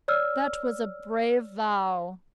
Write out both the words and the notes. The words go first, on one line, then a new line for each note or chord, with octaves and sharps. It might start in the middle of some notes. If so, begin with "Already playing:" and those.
"That was a brave vow."
C#5 D5 E6 F6